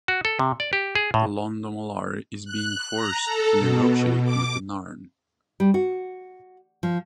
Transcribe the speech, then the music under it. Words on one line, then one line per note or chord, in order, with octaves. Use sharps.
Londo Mollari is being forced to negotiate with the Narn.
F#4
A4
C3
D5
G4
G#4
A2
F#6
A#5
A4
B2
D6
G3
F#4
F3